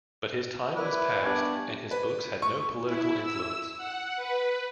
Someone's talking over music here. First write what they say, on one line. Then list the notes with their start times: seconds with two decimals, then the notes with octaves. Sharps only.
But his time was past, and his books had no political influence.
0.75 E4 A#4 B4 D5 E5
1.23 G3 B3 D4 C#5 G#5 B5
1.91 B4
2.42 C#6
2.84 E4
3.23 E6
3.77 F#5
4.16 B4